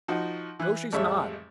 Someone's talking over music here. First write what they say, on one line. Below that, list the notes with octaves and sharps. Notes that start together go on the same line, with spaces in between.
"No, she's not."
F3 D#4 F#4
E3 F#6
A1 F2 G3 G#3 C#5 E5